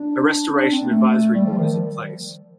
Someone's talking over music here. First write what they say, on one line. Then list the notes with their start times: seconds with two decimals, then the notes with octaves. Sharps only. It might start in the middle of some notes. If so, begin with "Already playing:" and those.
A Restoration Advisory Board is in place.
Already playing: D4
0.62 D4
0.71 C4
0.81 A#3
0.89 A3
1.34 G3
1.46 F3
1.58 D#3